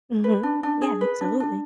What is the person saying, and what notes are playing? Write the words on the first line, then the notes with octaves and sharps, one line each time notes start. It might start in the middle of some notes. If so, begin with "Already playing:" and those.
Mhm. Yeah, absolutely.
B4
D4
D4
G#4
B4
D4
D4